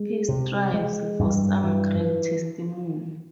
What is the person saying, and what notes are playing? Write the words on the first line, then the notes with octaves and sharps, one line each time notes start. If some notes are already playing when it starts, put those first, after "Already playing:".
He strives for some grand testimony.
Already playing: G#3
C3
G#3
G2
E3